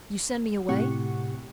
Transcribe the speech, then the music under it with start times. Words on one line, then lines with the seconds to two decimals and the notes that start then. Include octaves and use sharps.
"You send me away?"
0.69 A2 C3 G4 F#5 C#6